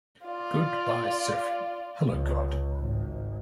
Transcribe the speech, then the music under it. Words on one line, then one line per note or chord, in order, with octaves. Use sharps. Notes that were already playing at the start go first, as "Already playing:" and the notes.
Goodbye Surfing, Hello God!
F4 D5
C#2
G#1